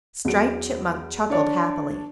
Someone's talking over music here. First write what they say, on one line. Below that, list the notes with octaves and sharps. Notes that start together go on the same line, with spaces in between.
Striped Chipmunk chuckled happily.
E2 F#3 D7
D4 C#5 D5 A5